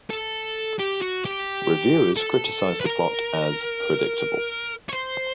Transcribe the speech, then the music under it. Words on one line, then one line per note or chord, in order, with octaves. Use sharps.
Reviewers criticized the plot as predictable.
A4
G4
F#4
G4
A4
B4
A#4
C#5
C5